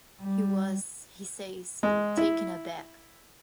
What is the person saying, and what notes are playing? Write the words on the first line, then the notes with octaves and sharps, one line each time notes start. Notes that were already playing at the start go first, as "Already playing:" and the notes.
He was, he says, "taken aback."
G3
G#3
E4